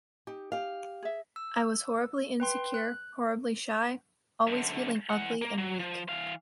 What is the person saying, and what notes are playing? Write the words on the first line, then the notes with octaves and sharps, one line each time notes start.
I was horribly insecure, horribly shy, always feeling ugly and weak.
D#4 G4
G4 F5
G#4 E5
E6
B4 G5 C6
F#6
F#2 D3
E3 F#5
A#3
F#3
F3
E3 F5